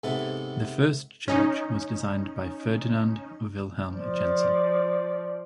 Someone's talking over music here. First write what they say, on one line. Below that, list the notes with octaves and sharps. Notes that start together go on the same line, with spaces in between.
The first church was designed by Ferdinand Vilhelm Jensen.
G#2 C3 B3 A4
C#4 D#4
F3 D5